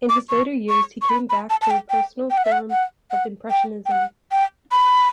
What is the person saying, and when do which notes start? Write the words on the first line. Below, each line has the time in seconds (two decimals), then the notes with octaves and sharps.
In his later years, he came back to a personal form of impressionism.
0.09 D6
0.29 C#6
0.69 C#6
1.02 C#6
1.09 B5
1.30 B5
1.50 A5
1.62 A5
1.70 G5
1.90 G5
2.30 G5
2.37 F#5
2.45 E5
2.52 F#5
2.71 F#5
3.11 F#5
3.50 G5
3.86 G5
3.91 F#5
4.32 G5
4.72 B5